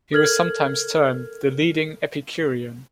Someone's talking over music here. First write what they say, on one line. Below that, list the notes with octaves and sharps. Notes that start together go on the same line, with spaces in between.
He was sometimes termed the leading Epicurean.
A4 A#4 F6 G#6 F#7